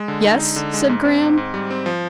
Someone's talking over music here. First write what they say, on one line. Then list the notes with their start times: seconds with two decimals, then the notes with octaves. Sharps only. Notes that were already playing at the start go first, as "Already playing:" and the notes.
"Yes?" said Graham.
Already playing: G#3
0.08 D3
0.25 D#4
0.41 D3
0.56 D3
0.74 G#3
0.89 G#2
1.05 C4
1.21 G#2
1.37 G#2
1.54 G3
1.70 C4
1.86 F3